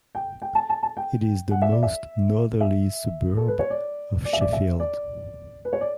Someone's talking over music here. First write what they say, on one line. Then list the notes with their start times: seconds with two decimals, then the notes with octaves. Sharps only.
It is the most northerly suburb of Sheffield.
0.15 G5
0.42 G5
0.55 A5
0.70 A5
0.83 A5
0.97 G5
1.51 F#5
1.62 E5
1.72 D5
1.83 E5
2.61 E5
3.37 A4
3.48 B4
3.59 C#5
3.70 D5
4.25 D5
4.33 E5
4.41 D5
4.53 E5
4.80 D5
5.65 B4
5.73 C#5
5.81 D5